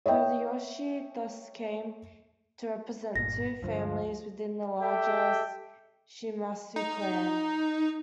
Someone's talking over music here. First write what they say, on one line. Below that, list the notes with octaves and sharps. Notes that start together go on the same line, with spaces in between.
Tadayoshi thus came to represent two families within the larger Shimazu clan.
C#5 D#5 E5 G5
G1 A#2 A#6
D2 G2 F3
G4 A4 E5 G5
D#4